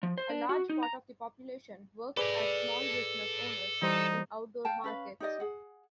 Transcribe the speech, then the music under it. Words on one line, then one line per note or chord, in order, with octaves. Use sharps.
A large part of the population works as small business owners in outdoor markets.
F3
C5
D4
F#4
D#4
A#5
G#4 A4 B4 D5 B5
E3 G3 D#4 C5
F5 G5 A5
C#4 B4 F5
D#4 G4 D5 D#5
G#4 F#5